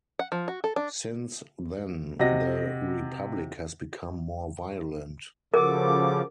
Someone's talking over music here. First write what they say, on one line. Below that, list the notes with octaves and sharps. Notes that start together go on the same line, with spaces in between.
Since then the republic has become more violent.
F#5
F3
F#4
A4
D4
C3 F#4 D#5 F#5 A#6
C#3 F3 F#4 A4 A#4 D6